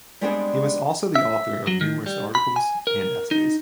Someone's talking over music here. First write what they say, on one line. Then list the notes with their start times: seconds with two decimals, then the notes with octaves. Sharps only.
He was also the author of numerous articles and essays.
0.21 G3 G#3 B3 C4 D4 G#4
1.15 E5
1.67 F#3
1.81 D#3
2.06 G3
2.35 B5
2.56 G#5
2.87 A#4
3.31 D#4